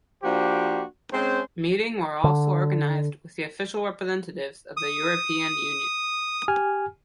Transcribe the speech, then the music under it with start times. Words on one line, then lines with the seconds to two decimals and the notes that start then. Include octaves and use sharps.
Meeting were also organized with the official representatives of the European Union.
0.24 F3 A#3 D4 F#4 G4 C5
1.13 G#3 C4 C#4 C5
2.24 D3
4.77 D#6
6.48 G4 G#5 F6